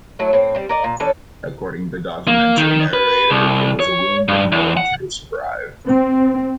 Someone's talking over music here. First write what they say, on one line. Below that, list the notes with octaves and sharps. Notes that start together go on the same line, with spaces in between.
According to the documentary narrator, It was a wound no one could have survived.
F#3 A3 E4
A2 C4
G3 C4
A#4 D5 D#5
A#2
E3 C#4 A4 D5
A#3
D#3
B4
C2
C#5
G2
E2
F#5
C4